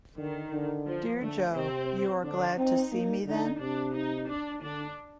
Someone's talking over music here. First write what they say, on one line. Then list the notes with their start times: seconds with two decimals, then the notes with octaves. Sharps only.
Dear Jo, you are glad to see me, then?
0.17 D3 D#3
0.52 D3
0.86 F3
1.20 D3 A3
1.54 C3 C4
2.24 D3 D4
2.58 C4 D#4
2.92 A#3
3.26 D3 D#4
3.60 C3 D4
3.94 D#4
4.28 D4
4.62 D3 D4